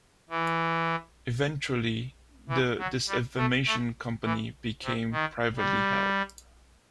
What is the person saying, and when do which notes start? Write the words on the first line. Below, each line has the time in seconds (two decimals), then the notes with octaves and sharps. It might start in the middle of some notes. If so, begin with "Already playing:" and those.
Eventually, the Disinformation Company became privately held.
0.30 E3
2.49 E3
2.78 F#3
3.07 G3
3.37 A3
3.66 A3
4.24 E3
4.83 C3
5.12 D#3
5.56 G3